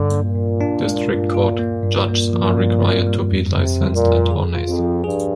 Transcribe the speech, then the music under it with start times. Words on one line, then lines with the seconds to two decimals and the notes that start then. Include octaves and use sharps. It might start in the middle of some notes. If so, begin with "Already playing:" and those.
District court judges are required to be licensed attorneys.
Already playing: G2 D3
0.11 A#3
0.23 A#2
0.35 G2
0.61 D4
0.85 G#3
1.10 G2
1.34 F4
1.59 A#3
1.83 G2
2.08 A#2 A#3
2.33 F3
2.57 G2
2.82 C4
3.07 G3
3.32 F2
3.56 F2 C3
3.81 G3
3.93 A#2
4.06 F2
4.31 G#4
4.55 F4
4.67 F2
4.79 F3
5.04 G2 G#4